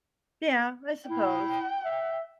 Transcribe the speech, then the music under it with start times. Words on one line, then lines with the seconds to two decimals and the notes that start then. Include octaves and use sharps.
Yeah, I suppose.
1.10 E4 G5
1.85 E5